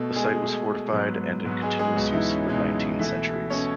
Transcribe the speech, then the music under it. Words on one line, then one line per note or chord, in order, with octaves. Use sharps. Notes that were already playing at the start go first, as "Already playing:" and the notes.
The site was fortified and in continuous use for nineteen centuries.
Already playing: B2 A3
G#3 G#4
B2 A3
G#2 F#3 B3
G#2 F#3 B3
F#4
G#3 G#4
G#3 G#4
C#2 B2 F#3 G#3 B3 F#4
D#4
E3 E4
C#4
C#2 B2 G#3 B3 D#4
B2 E3 A3 E4
B2 A3 C#4 C#5